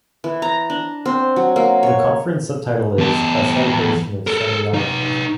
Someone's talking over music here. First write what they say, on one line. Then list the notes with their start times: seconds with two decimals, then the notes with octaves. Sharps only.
The conference subtitle is "A Celebration of Semiotic Thinking".
0.24 E3
0.42 A#5
0.70 D4
1.06 C4
1.36 F#3
1.56 A#3
1.83 C#5
2.98 E2 A5
4.27 A4 A#4
4.74 D#4 B4